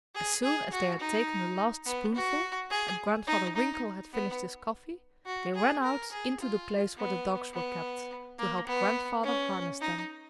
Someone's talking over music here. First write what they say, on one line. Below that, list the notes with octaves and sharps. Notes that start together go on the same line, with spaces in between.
As soon as they had taken the last spoonful, and Grandfather Winkle had finished his coffee, they ran out into the place where the dogs were kept, to help Grandfather harness them.
G#4
G#4
F#4
D#4
B3
F#4
G#4
D#4
D#4
B3
F#4
G#4
A#4
G#4
F4
B3
B3
A#3
B3
C#4
D#4